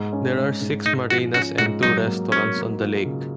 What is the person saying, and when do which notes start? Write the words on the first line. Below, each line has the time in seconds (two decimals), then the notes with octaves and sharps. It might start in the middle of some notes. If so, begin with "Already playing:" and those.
There are six marinas and two restaurants on the lake.
Already playing: G#2
0.13 C#4
0.37 G#2
0.61 G#2
0.86 G#2 D#4
1.10 F3 F#4
1.34 C#4 F#4
1.58 G#2 F#4
1.83 F#3 D#4
2.08 A#3
2.32 A#3 C#4
2.56 A#3
2.80 F4
3.05 C#3